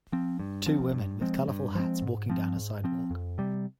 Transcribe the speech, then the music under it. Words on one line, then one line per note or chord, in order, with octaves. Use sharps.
Two women with colorful hats walking down a sidewalk.
F3 C4
G2
F3 C4
G2
F3 G#3 C4
G2
F3 G#3 C4
G#2
F3 C4
G#2
F3 C4
F2
C3 G3